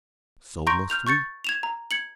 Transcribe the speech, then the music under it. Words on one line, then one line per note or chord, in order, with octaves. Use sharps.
"So must we."
A#5 C6 C#6 G6 A#6 D7
F6 G6 F7
C#6 G6 A6 C#7
G#6 E7 F7
A#5
G#6 C#7 F#7